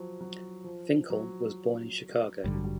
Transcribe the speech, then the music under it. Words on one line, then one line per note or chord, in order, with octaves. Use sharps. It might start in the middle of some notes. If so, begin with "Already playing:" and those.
Finkel was born in Chicago.
Already playing: F3 F#3
F#3
F3
F#3
A1 G2 D3 G3
F#3
G3